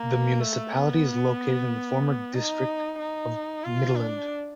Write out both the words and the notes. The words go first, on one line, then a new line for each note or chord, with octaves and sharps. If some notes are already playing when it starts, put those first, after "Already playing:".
The municipality is located in the former District of Mittelland.
Already playing: A#3
A3
B3
D#4
D#4
F4
D4